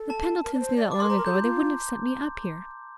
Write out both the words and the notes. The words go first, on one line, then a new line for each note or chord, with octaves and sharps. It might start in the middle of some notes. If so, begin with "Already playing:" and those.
The Pendletons knew that long ago, or they wouldn't have sent me up here.
Already playing: A4
A5
A#4
D5
C5
D5
D5 D6
A#4 C6
C5 A#5
A#4
A4 G6
G4
F4